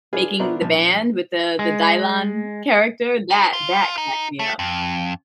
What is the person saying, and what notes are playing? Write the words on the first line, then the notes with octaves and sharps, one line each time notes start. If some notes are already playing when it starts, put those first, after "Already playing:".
making the band with the the Dylon character. That that cracked me up.
D4 F4 G#4 B4
B3 D4 E4 F#4 A#4 C5
A#1 A5
G#3
D#4
F4
D#4
A3
F2